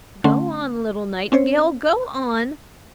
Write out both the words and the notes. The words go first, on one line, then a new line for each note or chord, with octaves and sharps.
"Go on, little Nightingale, go on!"
D3 A3 C#4 F#5 A5 C6
C4 C#4 C5 C#5